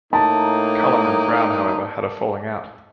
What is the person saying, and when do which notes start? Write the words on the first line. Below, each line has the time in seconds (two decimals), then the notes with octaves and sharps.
Cullen and Brown, however, had a falling out.
0.13 A2 A#3 D#4 A5